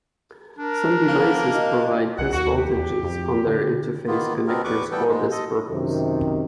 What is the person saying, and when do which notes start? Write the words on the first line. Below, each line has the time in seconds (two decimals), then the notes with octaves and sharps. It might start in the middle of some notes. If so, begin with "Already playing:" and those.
Some devices provide test voltages on their interface connectors for this purpose.
0.58 D4 A#4
1.08 F3 A#3 B3
1.48 D#5
2.19 C2 F#2 D3 F#5
2.33 D#2 F#4
2.57 G4
2.76 E2
3.04 F2
3.47 D3
4.07 D#3 A#3 B3 F4
4.47 B2 B3 C4 A#4
4.64 E2 B4 C#6 D6
4.91 E3 G3 B3 A4 G5
5.08 G#2 G#3
5.32 A4 D#5
5.69 F#2 C3 D#3